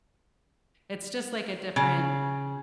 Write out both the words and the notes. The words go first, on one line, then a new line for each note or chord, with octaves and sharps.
it's just, like, a different
C#3